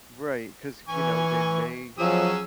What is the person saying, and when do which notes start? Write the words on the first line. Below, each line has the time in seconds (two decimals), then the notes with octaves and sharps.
Right, 'cause, you know, they may
0.89 E3 G#5 C#6
1.99 F3 F#3 C#4 G#4 E6